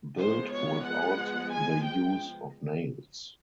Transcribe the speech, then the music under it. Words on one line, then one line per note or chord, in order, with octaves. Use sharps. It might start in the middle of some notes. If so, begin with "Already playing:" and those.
Built without the use of nails.
F3 G#3 B3 C5
C#5
F#5
G#5
G5